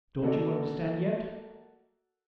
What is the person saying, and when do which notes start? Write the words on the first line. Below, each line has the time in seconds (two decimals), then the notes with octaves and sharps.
"Don't you understand yet?"
0.22 A#3 F#4 A4 D5